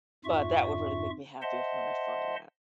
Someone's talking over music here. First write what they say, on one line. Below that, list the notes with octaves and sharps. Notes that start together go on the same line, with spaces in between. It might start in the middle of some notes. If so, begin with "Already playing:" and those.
but that would really make me happy if when I find that.
F2 G#2 F4 E5 C#6
C5 D#5 E5 F#5 A5 C6